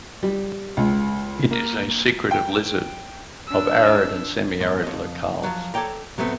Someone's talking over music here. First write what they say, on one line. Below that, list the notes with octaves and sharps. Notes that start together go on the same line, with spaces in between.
It is a secretive lizard of arid and semi-arid locales.
G3
C#2
A#3
G5
D4 E6
E2 G#2
F2 D#5
F3 F#3
A4 C#5 D5 G5 A#5
A2 F#3 A3 B3 C4